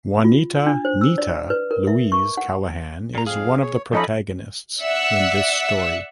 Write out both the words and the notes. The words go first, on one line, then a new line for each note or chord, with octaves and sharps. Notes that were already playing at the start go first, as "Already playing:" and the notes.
Juanita "Nita" Louise Callahan is one of the protagonists in this story.
F4
D4
C5
E6
D5
B4
A#4
E5
C#6
F#5
A#2 A#5
F2 G#4 F5
C#5
F3 C#4 D#4 A4 D#5 B5
D5 E5 F#5 E6 F#6